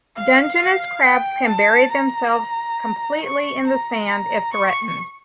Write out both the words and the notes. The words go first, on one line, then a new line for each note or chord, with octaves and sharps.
Dungeness crabs can bury themselves completely in the sand if threatened.
F5
F5
G5
A5
A#5
C#6
A#5
A#5
C#6